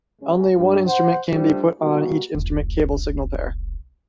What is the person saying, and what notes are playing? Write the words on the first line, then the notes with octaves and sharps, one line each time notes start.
Only one instrument can be put on each instrument cable signal pair.
F#2 C3 G#3 C#4
G2
C5 F#5
G3 A3 D4 F4 A4 C5
G3 G#3 A#3 B3 F#4
E1 C2